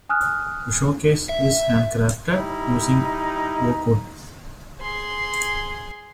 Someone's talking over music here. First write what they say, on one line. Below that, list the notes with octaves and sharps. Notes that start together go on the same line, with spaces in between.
The showcase is handcrafted using oak wood.
G#5 D#6 F6 F#6
E5
G3 D#4 E4
G#4 C6